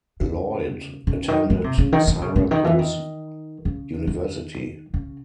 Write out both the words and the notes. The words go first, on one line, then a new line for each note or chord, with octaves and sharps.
Lloyd attended Syracuse University.
C#3
C#3
D#3
D#3
C3
C#3
D#3
D#3
C#3
C#3
D#3
E3
D#3
C#3
D#3
C#3